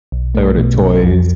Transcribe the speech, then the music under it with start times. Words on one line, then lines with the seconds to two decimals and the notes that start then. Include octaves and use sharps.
Play with her toys.
0.12 B1
0.35 A3
0.58 B2
0.80 B1
1.03 F2